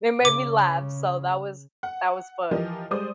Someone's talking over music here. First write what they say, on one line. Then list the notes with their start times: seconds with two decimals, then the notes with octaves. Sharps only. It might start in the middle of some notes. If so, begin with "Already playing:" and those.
It made me laugh, so that was that was fun.
0.25 C#3 D6
1.83 F#5
2.51 E3 F3 G4 A#4 D#5
2.91 G3 G#3 C5 D5 D#6